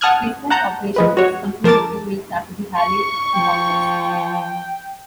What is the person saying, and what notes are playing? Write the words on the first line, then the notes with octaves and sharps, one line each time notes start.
Spacecraft operations were discontinued a few weeks after the Halley encounters.
F#5 A5 D#6 F6 F#6 G#6
F#5 A5 A#5 G6
F3 G#3 B4
F#4 C#5
F3 A#4 A5 D6 A6
C#6
F3 G5